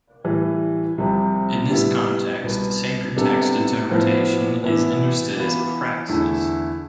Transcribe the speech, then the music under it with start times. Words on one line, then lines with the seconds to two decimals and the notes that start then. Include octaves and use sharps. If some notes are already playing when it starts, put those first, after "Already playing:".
In this context, sacred text interpretation is understood as "praxis".
0.24 A2 E3 G3
0.98 C2 C3 F3 C4
1.70 A2 G3 B3 E4
2.43 C2 B2 B3
3.16 C3 G3 B3 D4 A4
3.90 A2 F3 B3
4.63 A2 E3 B3 E4
5.36 E3 B3 F4 B4
6.09 E2 D3 A3 E4